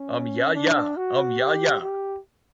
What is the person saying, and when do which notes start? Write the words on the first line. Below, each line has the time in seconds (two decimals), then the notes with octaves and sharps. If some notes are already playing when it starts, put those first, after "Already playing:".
Um Yah Yah!Um Yah Yah!
Already playing: C#4
0.55 D4
0.97 F#4
1.40 G4
1.82 G4